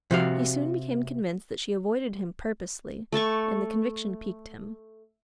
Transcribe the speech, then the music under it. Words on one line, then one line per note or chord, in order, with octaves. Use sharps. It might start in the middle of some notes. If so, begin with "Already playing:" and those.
He soon became convinced that she avoided him purposely and the conviction piqued him.
C3 F3 F#4 F5
A3 A4 A5 C#6